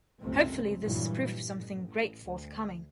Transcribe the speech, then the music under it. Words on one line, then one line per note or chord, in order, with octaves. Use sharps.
Hopefully this is proof of something great forthcoming.
G#1 C#2 F#2 C3 A3 C4
A#1 G2 A#2 E3 F#3 G3
A1
D2